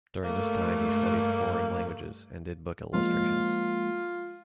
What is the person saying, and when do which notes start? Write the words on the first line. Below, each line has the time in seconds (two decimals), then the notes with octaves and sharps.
During this time he studied foreign languages and did book illustrations.
0.24 G2 A3 A#3
2.93 F3 G#3 A#3 F4